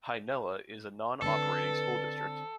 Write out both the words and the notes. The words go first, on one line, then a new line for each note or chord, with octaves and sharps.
Hi-Nella is a non-operating school district.
D3 C4 D4 A4 B4 A5